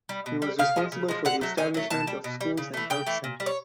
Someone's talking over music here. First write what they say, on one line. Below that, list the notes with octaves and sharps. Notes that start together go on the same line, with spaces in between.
He was responsible for the establishment of schools and health centres.
G3
B2
G3
C#3 F5
F3 G#3
C#3
F3 G#3
D3 F#5
F#3 A3
D3 G#5
F#3 A3
B2 A5
G3
B2
G3
C#3
E3 A3
C#3 G5
E3 A3
A#2
G3
C#5